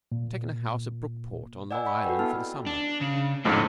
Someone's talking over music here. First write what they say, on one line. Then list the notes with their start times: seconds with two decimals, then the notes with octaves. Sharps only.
I've taken a house at Brookport, on Long Island, for the summer.
0.12 A#2
1.71 D5 D#5 F#5 G#5 E6
1.85 F#5 B5 C#6
2.05 F#4 A4 B4 G5
2.19 B3 E4 A5 F6
2.67 D4
3.01 C#3
3.45 A1 F2 G#2 C4 C#4